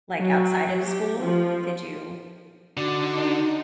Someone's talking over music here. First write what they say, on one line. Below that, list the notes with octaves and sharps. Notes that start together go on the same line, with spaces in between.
like, outside of school? Did you
F#3
G4
F3
D3 D4 D#4 F#4